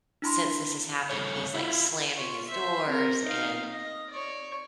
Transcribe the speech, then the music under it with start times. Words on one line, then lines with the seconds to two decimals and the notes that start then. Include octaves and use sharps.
since this has happened, he's, like, slamming his doors and
0.22 D4 E4 B5 C6
1.10 C#3 G3 A4 C#5
1.54 E4 F4
2.16 F4 C#5
2.47 C5 E5
2.87 C4 A#4
3.23 D#4 F5
3.71 D#5
4.10 C#5 D5